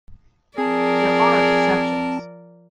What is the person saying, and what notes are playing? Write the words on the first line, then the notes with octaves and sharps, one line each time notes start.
There are exceptions.
F3 C4 G#4 A#4 D5 A5